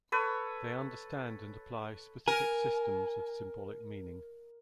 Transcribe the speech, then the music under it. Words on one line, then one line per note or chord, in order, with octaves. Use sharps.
They understand and apply specific systems of symbolic meaning.
A4 B4 C#5
A#4 G#5